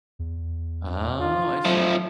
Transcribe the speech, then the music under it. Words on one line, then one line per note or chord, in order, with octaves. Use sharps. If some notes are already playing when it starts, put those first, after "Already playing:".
Oh, I see.
E2
F4
F3 F#3 A3